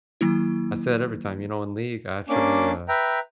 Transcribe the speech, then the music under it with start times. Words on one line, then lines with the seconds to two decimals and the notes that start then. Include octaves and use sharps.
I say it every time, you know, in League, I actually, uh,
0.21 D#3 F#3 A#3 E4
2.29 A#3 C#4 D4 D6
2.89 B4 E5 G5 A#5